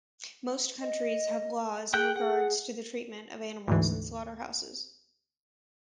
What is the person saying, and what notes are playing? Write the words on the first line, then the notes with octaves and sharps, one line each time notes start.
Most countries have laws in regard to the treatment of animals in slaughterhouses.
D#5
G#4 G5 F#6 G6
G#4 F#5
D2 G#2 E3